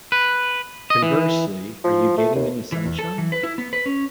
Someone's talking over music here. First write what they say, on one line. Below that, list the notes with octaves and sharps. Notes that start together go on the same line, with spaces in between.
Conversely, Are You Getting Any Sunshine?
B4
D#5
E3
F3
A3
D#2
E3
E2
A4
E3
B4
E4
B3
B4
C#4